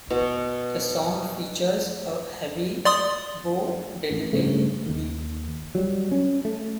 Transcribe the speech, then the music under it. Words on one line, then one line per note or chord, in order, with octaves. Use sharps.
The song features a heavy Bo Diddley beat.
B2
D5 C6 D#6
A1
G2 C#3 A3
D#2 D#3
F#3 G3
C#4
A3